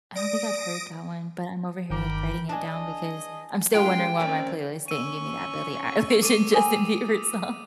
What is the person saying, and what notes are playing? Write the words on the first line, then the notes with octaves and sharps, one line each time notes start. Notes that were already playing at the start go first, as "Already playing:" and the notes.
I don't think I've heard that one, but I'm over here, like, writing it down, because I'm still wondering why my playlist didn't give me that Billie Eilish and Justin Bieber song.
D5 D#6 A#6 D7
G1 D#3 A#4 G5 B5 D6
D4 G#4 D#5 G#5 A5
G#3 C#4 F4 G5 C6
A3 A#3 C4 C#4 A#4 D5
C#4 C#6 E6 D#7
A4 D6 D#7
G5 G#5 B5 D#6
E4